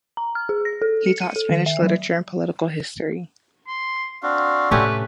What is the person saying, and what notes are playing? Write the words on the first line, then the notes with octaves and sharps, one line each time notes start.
He taught Spanish literature and Political History.
A#5
F6
G#4
A#6
A4
C#7
D#7
A4
D#3
E5
F#3
C6
C4 D4 F#4 F5
A2 C3 A3 C#4 G4 B4